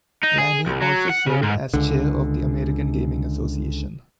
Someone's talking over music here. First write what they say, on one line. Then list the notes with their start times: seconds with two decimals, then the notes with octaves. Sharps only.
Lanni also served as Chair of the American Gaming Association.
0.24 D#4
0.38 G#4
0.67 C2
0.82 F#3
1.10 F#5
1.27 C#3
1.42 G#2
1.74 C#2 D3